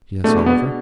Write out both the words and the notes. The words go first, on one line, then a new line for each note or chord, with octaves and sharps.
"Yes, Oliver?"
B2 G#3 A3 D4
B3